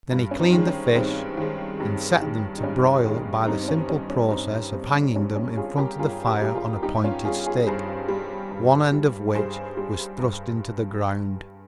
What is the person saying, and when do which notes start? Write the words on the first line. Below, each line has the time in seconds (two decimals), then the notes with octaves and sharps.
Then he cleaned the fish and set them to broil by the simple process of hanging them in front of the fire on a pointed stick, one end of which was thrust into the ground.
0.11 G2
0.31 C#4
0.39 C4 D#4
0.53 D#3 G#3
0.67 C#4
0.95 G2 C4
1.37 D#3 G#3
1.80 G2
2.21 D#3 G#3
2.58 D#4
2.63 G2 C#4
3.05 D#3 G#3
3.47 G2 C4 D#4
3.63 C4
3.68 C#4
3.80 C4
3.89 G3 C#4
4.10 C#4
4.31 G2 C4 D#4
4.73 G3 C4
5.15 G2 C#4
5.36 C#4
5.57 G3 F4 G#4
5.77 G4 A#4
5.99 G2 F4 G#4
6.27 G4 A#4
6.42 G3 G4
6.55 F4 G#4
6.83 G2 D#4 G4
7.04 C#4 F4
7.25 G3 F4 G#4
7.46 F4 G#4
7.67 G2 G#4 C5
8.08 G3
8.51 G2
8.93 G3
9.35 G2 G#4 C5
9.77 G3
10.19 G2